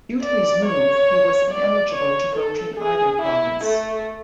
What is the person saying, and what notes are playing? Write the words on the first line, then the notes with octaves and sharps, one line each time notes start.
Due to his move he was ineligible to vote in either province.
D5
C#5
D5
C#5
A4
G#4
E4
A3